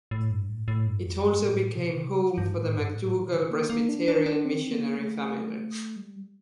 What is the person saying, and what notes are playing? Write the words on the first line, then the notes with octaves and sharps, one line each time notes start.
It also became home for the McDougall Presbyterian missionary family.
A2
G2
A2
A2
G2
F2
G2
A2
A#2
C3
A#2
C3
G2
A2
G2
A2
A#2
D3
A#3
A#3
D4
D4
D4
C4
A#3
A3
G3